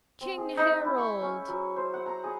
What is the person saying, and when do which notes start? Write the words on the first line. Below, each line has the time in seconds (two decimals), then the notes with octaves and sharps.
"King Harald!"
0.21 C4
0.38 G#4
0.57 D#4
0.68 E5
0.85 E4
0.98 C#6
1.21 C#4
1.48 F#3
1.76 C5
1.94 F#5
2.06 A#5
2.24 G#4